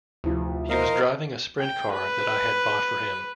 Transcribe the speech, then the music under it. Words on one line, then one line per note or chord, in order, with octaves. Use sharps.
He was driving a sprint car that I had bought for him.
F1 D2 E3 F3
A#4 C5 D#5 F5
G5
B4